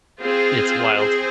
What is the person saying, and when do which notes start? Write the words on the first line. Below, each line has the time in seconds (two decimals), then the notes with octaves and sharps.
It's wild.
0.19 C4 F4 G#4 C5
0.94 C4 G#4 C5